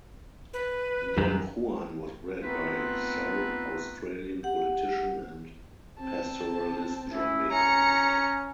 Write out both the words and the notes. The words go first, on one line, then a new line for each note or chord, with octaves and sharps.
Don Juan was bred by South Australian politician and pastoralist John Baker.
B4
F#2 D#3
A3 B3 C4 D#4 F4 B4
G4 F#5
C4 A5
C#4 E4
C#4 A#5 C#7